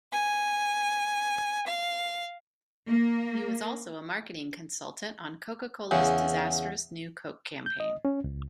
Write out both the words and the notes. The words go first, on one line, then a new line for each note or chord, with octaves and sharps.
He was also a marketing consultant on Coca-Cola's disastrous New Coke campaign.
G#5
F5
A#3
E2 C#3
G6
D#5
C#4
C#2